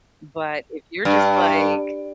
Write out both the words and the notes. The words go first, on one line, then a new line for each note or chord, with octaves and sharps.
But if you're just like,
G2